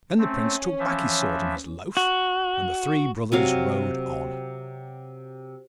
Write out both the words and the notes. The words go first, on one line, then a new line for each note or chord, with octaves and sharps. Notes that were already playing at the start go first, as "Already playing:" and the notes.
Then the Prince took back his sword and his loaf, and the three brothers rode on.
A3 C4 C#4
E3 F3 E5
F#4
C3 F#3 F5